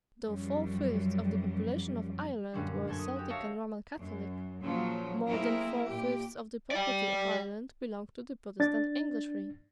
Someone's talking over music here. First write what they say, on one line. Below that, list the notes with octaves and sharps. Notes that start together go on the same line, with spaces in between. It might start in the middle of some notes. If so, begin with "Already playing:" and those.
Though four fifths of the population of Ireland were Celtic and Roman Catholic, more than four fifths of the property of Ireland belonged to the Protestant Englishry.
F#2 F3 G3
F#2 A#2 D3 G3 C#4 D4
F#2 C4 A4 G#5 G#6
D#6
F#4 G4
C#5 E5 F5 A5 C#6 A#6
F#2
A#2 C#3 F3 F#3
A3 A#3 C4 E4 G#4 A#4
A#2 G4
D5 G5
D4 A6